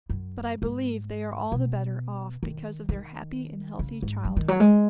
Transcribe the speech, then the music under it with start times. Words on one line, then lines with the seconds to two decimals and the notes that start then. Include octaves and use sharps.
But I believe they are all the better off because of their happy and healthy childhood.
0.10 F#2
0.62 G#2
1.52 B2
2.43 D#3
2.89 D#3
3.79 C#3
4.03 G#2
4.25 F#3
4.37 D#3
4.48 F#3
4.60 G#3